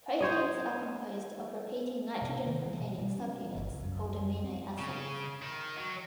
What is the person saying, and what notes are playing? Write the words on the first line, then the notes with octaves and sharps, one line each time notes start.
Proteins are composed of repeating nitrogen-containing subunits called amino acids.
C5 C#5 D#5
C3
D#3
E3
B2
G3
C#4
G1
C#2
F#2
C4
C#3
D#3
F#3